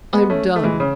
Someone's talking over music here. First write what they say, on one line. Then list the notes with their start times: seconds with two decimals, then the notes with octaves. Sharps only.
"I'm done."
0.13 G#3 B3
0.30 A3 C#4
0.56 A3
0.63 E3 G#3
0.80 C#3